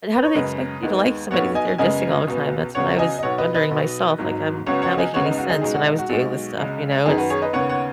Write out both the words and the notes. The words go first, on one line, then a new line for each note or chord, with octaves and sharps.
And how do they expect you to like somebody that they're dissing all the time? That's what I was wondering myself, like, I'm not making any sense when I was doing this stuff, you know, it's
B4
C#5
F#2 C#3 G#3 B4 D#5
D#2 D#3 G#3 B3
B1 B2 B3 C#5 F#5
D#5 G#5
F#2 C#3 G#3 B3 D#5 G#5
C#2 B2 B3
C#2 C#3 F#3 B3 C#5 F#5
D#5 G#5
D#5
B1 B2 B3 C#5 F#5
B4 D#5
B4 D#5
B1 B2 B3
G#1 G#2 F#3
C#2 C#3 F#3 B3 C#5 F#5
C#5 F#5
D#5 G#5
C#2 C#3 G#3 B3 C#5 F#5
D#4
F#4
D#4 G#4
C#2 B2 G#3 D#4 G#4
F#4
D#4
F#4
B1 B2 G#3
C#2 C#3 G#3
F#2 D#3 B3 D#4 G#4
F#4 B4
G#4 C#5
B4 D#5
D#2 C#3 B3 C#5 F#5
C#5 F#5